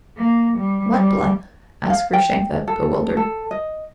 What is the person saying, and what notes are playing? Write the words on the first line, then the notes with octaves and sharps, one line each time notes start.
"What blood?" asked Grushenka, bewildered.
A#3
G3
G3
F5
G5
A4
A4
D#5